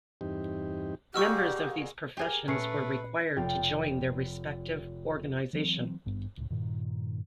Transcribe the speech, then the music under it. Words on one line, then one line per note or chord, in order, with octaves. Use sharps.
Members of these professions were required to join their respective organisation.
E2 G2 C4 D#4 G4
A#2 G#3 F#4 G4 C#6 E6 F6
G4 G#4 A#4 G#5
A#2 A3 C#4 B4 C7 C#7
F1 F4 G5 A6
E3 F#3 B3 C4
G#1 G2 B3
C#2 A2
G2 A#2 D#3